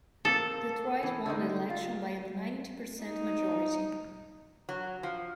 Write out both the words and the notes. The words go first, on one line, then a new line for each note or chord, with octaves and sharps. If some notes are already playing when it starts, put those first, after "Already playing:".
Detroit won the election by a ninety percent majority.
A#3 C4 A4
E3
D3 G#3 D#4
F4
D#4
F#3
F3